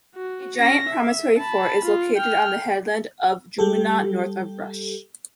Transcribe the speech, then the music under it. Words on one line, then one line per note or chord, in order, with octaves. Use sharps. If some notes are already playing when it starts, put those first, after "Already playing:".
A giant promontory fort is located on the headland of Drumanagh, north of Rush.
F#4
C#4 A#6
E5
A5 B5
F4
G5 F6
G3 G4 A4